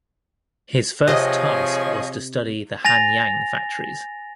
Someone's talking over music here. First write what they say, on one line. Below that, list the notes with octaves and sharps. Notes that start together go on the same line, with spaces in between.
His first task was to study the Hanyang factories.
C3 F3 G#4 C#5 D#5
G#5 A6 A#6 F7